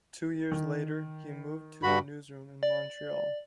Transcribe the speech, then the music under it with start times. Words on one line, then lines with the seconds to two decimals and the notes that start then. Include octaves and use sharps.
Two years later, he moved to the newsroom in Montreal.
0.52 D#3
1.83 G2 F#4 B5
2.63 D5